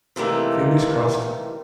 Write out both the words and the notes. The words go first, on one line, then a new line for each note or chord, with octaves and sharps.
Fingers crossed!
C3 D#3 E3 G3 A3 A#3